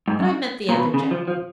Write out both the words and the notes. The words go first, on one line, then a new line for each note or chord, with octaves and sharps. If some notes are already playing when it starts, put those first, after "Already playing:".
But I meant the other gentlemen.
G#2
F#2
A#2
B2
C#3
F3
F3